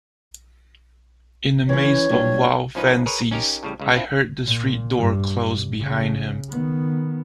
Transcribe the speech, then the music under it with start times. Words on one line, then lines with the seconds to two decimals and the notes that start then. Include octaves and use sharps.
In a maze of wild fancies I heard the street door close behind him.
1.69 E3 C#4 C#5
2.10 A#2 G3 D4
2.75 C2 F3 C#4 D#4 B4
3.06 G#4 A#4 B4 C#5
3.31 C#4 D#4 G4 A#4
3.63 A2 C#3 G3
3.80 C#2 C#3
3.95 C4 D4 E4 F4
4.45 A#2
4.97 G2
5.80 C#3
6.50 D#3 B3